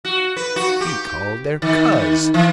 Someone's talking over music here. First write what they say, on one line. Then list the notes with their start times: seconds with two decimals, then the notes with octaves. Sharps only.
He called her Coz!
0.05 F#4
0.37 B4
0.56 F#4
0.81 G4
1.62 D#3
1.92 D#3
2.34 E3